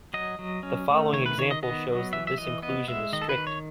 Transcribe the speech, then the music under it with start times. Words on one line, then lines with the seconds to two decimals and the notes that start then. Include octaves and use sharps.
The following example shows that this inclusion is strict.
0.14 F#3 D#5
0.39 F#3
0.63 C#4
0.89 A3
1.13 D#3 C#5
1.26 B4
1.38 D#3 C#5
1.51 D#5
1.63 B3 D#5
1.88 F#3
2.13 E3 E5
2.27 E5
2.38 E3 D#5
2.62 B3 D#5
2.87 G#3 E5
3.13 D#3 D#5
3.22 A4
3.29 B4
3.38 D#3
3.47 C#5